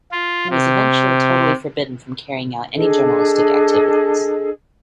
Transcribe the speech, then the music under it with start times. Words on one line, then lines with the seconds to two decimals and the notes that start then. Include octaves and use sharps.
He was eventually totally forbidden from carrying out any journalistic activities.
0.12 F4
0.51 C3
2.75 D4 G#4 A4 D#5